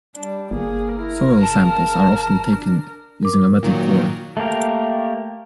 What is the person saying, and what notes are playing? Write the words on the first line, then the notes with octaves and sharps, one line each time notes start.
Soil samples are often taken using a metal core.
G3 D4
G1 A#3 G#4
E4 A#4
C#3 A5
D4
A#4 D6
A#2 D#3 F#3
A3 A#3 G4 A#4